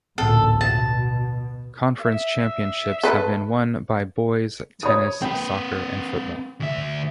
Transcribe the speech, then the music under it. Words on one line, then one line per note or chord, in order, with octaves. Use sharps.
Conference championships have been won by boys' tennis, soccer, and football.
A1 D2 A#2 A4
B2 A5
E5
A4 B4
C#5 D#6
C4 B4 G5
D2 E5